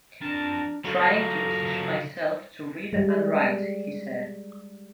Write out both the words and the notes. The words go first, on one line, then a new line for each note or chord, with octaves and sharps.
"Trying to teach myself to read and write," he said.
F2 D4 A#4 A5
F#3 F4 G4 A4 A#5 B5
C#3
G3 G#3